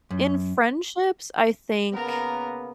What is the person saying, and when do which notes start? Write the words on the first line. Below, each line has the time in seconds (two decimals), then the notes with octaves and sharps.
in friendships, I think
0.11 F#2
1.92 C#3 A#3 B3 A#4 A#5